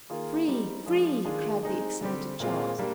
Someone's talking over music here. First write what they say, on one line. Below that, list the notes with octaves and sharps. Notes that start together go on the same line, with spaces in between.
"Free! free!" cried the excited Charles.
D#3 A#3 F4 G#4
G3 C4 D#4 G4
F3 G#3 D4 G#4
D#3 G#3 D4 F4 G#4
G#3 C4 D#4 G#4
D3 G3 C4 G4
A#2 G#3 C4 F4
G3 A#3 D4 G4